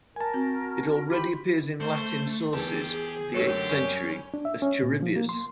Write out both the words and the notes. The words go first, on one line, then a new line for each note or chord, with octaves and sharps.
It already appears in Latin sources of the eighth century as Charivius.
A#4 G#5 A5
C4 F#4
E4 F4 G4 B5 C6
A3 C5
E2 G4 G#4 A5
F#2 F#3 A3 D#4 A4 C#5
D3 G4
F#2 G3 C#4
D4
E5
C#4
A#2
F3
A#3
C6